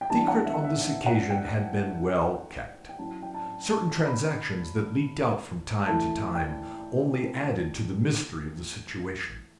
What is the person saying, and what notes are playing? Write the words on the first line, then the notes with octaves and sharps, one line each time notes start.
The secret on this occasion had been well kept. Certain transactions that leaked out from time to time only added to the mystery of the situation.
G5
E3 G3 B3 D4 A5
F#5
E5
E5
E5
F#5
G5
G5
F#3 C#4 E4 A5
G5
A5
A5
B5
E3 A3 E4 A5
G5